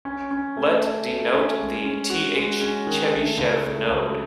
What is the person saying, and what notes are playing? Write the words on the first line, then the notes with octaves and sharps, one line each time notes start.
Let denote the -th Chebyshev node.
C#4
C#4
A3
C#4
A3
C#4
G#3
C#4
F#4
G#3
C#4
D#3
A3
C#2
A3
C#2